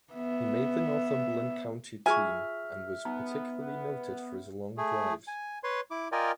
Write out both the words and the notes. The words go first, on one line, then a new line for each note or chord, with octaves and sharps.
He made the Northumberland county team and was particularly noted for his long drives.
B3 E5
F4 G#4 E5 G#5 C#6 F6
B3 D#4 A#5
A3 G#4
G#5
B4 C#5 C6
E4 D6
F4 A#4 D5 D#5 G5 G#5